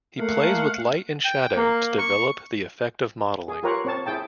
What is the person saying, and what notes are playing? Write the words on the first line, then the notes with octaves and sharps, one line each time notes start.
He plays with light and shadow to develop the effect of modeling.
A3 A#3 F5 F#5
G5
A#3
C#6
G#4
F4 G4 A#4 B4 C#5 F#5
C4 C#5 A5
E4 G#4 G5 A5